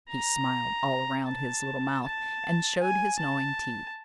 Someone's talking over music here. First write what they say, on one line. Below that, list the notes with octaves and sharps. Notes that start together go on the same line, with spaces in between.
He smiled all around his little mouth and showed his gnawing teeth.
A#5
A5
A5
G#5
A5